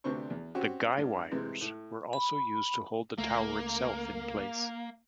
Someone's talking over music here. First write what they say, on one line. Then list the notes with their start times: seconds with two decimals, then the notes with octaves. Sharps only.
The guy wires were also used to hold the tower itself in place.
0.04 D2 C3 B3 D4 C5 C#6
0.30 E2
0.55 C4 C#4 F#4 G4
0.98 G2
1.31 C3 E3 G#3
1.61 A2
2.13 B5
3.18 C#2 A3 A#3